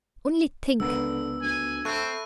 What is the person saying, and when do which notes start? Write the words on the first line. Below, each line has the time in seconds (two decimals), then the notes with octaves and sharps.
Only think!
0.80 C#2 D3 B3 A#4 E6
1.42 D2 G#5
1.85 C4 A4 E5 B5 C#6 F#6